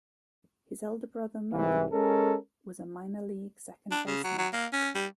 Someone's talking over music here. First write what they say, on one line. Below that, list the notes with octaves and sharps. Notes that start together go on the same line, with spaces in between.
His elder brother, Merle, was a minor league second baseman.
C2 G#2 E3
G#3 C#4 A4 A#4
D4
C#3
F#3
F#3
A#3
C#4
G3